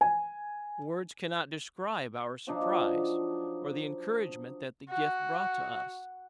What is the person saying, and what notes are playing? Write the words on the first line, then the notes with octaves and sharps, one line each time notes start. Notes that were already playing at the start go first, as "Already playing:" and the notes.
Words cannot describe our surprise, or the encouragement that the gift brought to us.
G#5
F3 F#3 D4 D#4
F#4